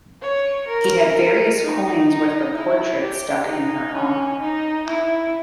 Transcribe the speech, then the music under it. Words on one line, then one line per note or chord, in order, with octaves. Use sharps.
He had various coins with her portrait struck in her honor.
C#5
A#4
A#4
D#4
D#4
E4
G4
D#4
C#4
D#4
E4